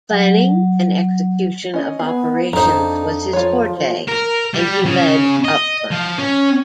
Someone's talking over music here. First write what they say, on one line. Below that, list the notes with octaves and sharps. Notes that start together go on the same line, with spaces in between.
Planning and execution of operations was his forte and he led upfront.
F#3
C#4 D#5
B3 G#4
F2 D4 D#4 C5 A#5
F3 F4 C#5
A#4
G3
C#3
D#5
F3
C#4